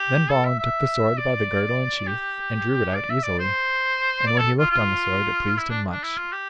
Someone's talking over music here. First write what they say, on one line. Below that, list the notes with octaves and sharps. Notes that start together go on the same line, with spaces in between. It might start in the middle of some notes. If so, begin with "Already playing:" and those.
Then Balin took the sword by the girdle and sheath, and drew it out easily; and when he looked on the sword it pleased him much.
Already playing: G4
A4
E5
E5
D5
G4
D5
E5
D5
C5
D5
A4
F4
F4
E4
D4
D4
E4
F4
G4